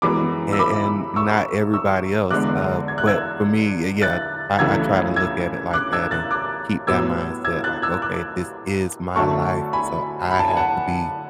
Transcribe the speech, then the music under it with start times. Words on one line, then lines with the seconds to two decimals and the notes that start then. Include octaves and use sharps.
and and not everybody else, uh, but, for me, y yeah, I I try to look at it like that and keep that mindset like, "Okay, this is my life so I have to be
0.02 F#2 E3 G#3 B3 B5 D6
0.53 E6
0.59 B5 D6
1.16 C#6 E6
1.74 C#6 E6
2.31 E2 D3 G#3 B3 D6 F#6
2.88 G#6
2.98 F#6
3.07 E6 G#6
4.02 F#6 A6
4.59 C#2 C#3 E3 A3 E6 G#6
5.16 E6 G#6
5.73 D6 F#6
5.93 E6 G#6
6.11 F#6 A6
6.31 D6 F#6
6.87 A2 F#3 B3 E6 G#6
7.44 E6 G#6
7.64 F#6 A6
7.82 E6 G#6
8.02 D6 F#6
9.16 D2 D3 F#3 A3 A5 C#6
9.73 G#5 B5
10.31 B5
10.39 A5
10.48 G#5
10.57 F#5 A5